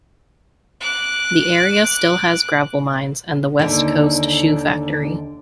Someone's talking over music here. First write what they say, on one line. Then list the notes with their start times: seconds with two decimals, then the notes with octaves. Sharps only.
The area still has gravel mines and the West Coast Shoe factory.
0.81 D6 F#6
3.59 D#2 D3